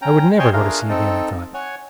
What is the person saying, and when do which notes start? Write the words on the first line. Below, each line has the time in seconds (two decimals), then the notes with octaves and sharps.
I would never go to sea again, I thought.
0.02 C#4 G5 A#5
0.39 C5 C#5 D#5 G5 G#5 C6
0.53 A3 D4 F4 G#4 A#4 F5
0.89 C4 D#4 A4
1.54 C#5 F#5 G#5